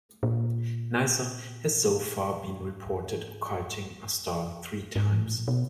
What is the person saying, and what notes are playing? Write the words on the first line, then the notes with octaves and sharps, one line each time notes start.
Nysa has so far been reported occulting a star three times.
A#2
G#2
G2
F2
E2
F2
G2
G#2
A2
A#2
B2